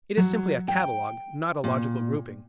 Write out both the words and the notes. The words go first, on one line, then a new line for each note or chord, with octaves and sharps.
It is simply a catalogue, not a logical grouping.
F#3
G5
A#2